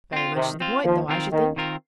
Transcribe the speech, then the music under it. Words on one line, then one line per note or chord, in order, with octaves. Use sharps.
'Very much to the point though, I should think.
C4 F4
C3 D#3
C4 F4
D#2 F3
D#3 C4 F4 A#4
D#2 D#3
D#3 C4 F4 A#4